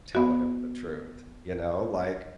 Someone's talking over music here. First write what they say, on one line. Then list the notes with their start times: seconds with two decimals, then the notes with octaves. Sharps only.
tell him the truth?" You know, like,
0.15 B3 F#4